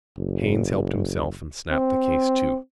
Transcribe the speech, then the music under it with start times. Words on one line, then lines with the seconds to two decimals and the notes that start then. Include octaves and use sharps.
Haines helped himself and snapped the case to.
0.17 F#1
1.71 C4